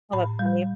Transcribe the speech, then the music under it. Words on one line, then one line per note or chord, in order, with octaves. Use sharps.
Hold up, honey.
A2 B5
G3